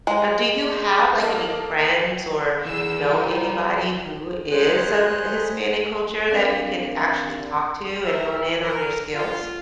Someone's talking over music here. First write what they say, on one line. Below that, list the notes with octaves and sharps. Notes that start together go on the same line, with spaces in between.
Now do you have, like, any friends or know anybody who is of Hispanic culture that you could actually talk to and hone in on your skills?
G#3
A#3 A4 D#5
E3 G#4 E6
G3 E4 A#4
G3 G#3 G#4 C5 F#6
C4 D4 A#4 D5 F5
A#4 E5
A#4
F4